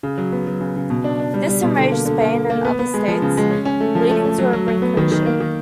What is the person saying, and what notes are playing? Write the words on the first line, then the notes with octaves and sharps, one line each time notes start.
This enraged Spain and other states, leading to brinkmanship.
C#3
F#3
B3
F#3
C#3
C#3
B2
D4
D4
G3
G3
B2
D3
A#3
D3
A#3
A#3
A#3
B3
B3
G#3
F3
C#3
G#3
C#4
C#4
A3
F3
A3
A3
F#3
F#3
F#3
B3
D#3
D#3
A#3
D#3